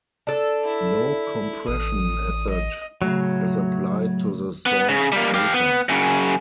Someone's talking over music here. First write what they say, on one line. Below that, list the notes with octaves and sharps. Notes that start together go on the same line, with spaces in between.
No compression method is applied to the source data.
D4 A4
E4
A1 D#6
D#5
A2 C#3 F#3
B3
C#3
G3 A#3
G4 F5
B3
F#2 C#3